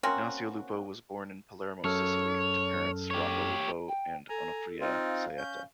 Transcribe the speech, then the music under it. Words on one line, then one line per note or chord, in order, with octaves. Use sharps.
Ignazio Lupo was born in Palermo, Sicily, to parents Rocco Lupo and Onofria Saietta.
A#3 C4 C#4 F#4
F#2 A4 C#5 F6
G4 C#5
G5
A4 G#5 A#5
C4 D#4 F4 F5
C#4 G6